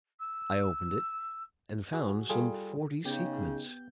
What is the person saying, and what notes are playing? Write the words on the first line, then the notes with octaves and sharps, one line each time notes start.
I opened it, and found some forty sequins.
E6
F#4 G#4
G3 F4 G#4 A4
C#3 B3 D#4 G4 G6